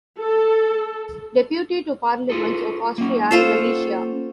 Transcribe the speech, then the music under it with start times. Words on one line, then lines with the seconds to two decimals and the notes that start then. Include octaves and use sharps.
Deputy to parliaments of Austria and Galicia.
0.20 A4
2.30 F4 G#4 A4
2.98 A#3 C#4
3.31 F4 A4 C5